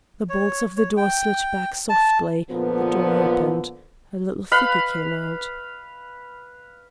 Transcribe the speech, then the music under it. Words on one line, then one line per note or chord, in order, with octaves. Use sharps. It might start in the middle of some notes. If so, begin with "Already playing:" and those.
The bolts of the door slid back softly; the door opened; a little figure came out.
C#5
C#5
G5
A5
A#2 D3 F3 B3
B4 F5 B5